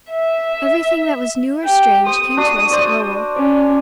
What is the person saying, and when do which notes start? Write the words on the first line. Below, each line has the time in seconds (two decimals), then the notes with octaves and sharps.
Everything that was new or strange came to us at Lowell.
0.10 E5
1.64 G4 G5
2.06 C5 D#6
2.37 D4 F#4
2.71 C5 D5 E6
3.36 C#4 D5